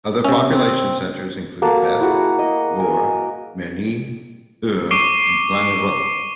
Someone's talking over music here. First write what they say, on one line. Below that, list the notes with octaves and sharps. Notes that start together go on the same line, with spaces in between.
Other population centers include: Beth, Bour, Merny, Our, and Plainevaux.
C3 C#4 E5
C4
A#3 F#4 A4
E4 F#4 G#4
D#5
A#4 G#5
C#6 D6 C7 D7 D#7 G7